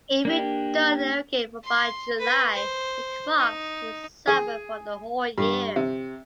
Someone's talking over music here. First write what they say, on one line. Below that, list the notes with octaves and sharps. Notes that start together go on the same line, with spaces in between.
If you don’t irrigate by July, the crops will suffer for the whole year.
A#3 D4 G4
C6
B4
C5
D#4
G#4
G2
C3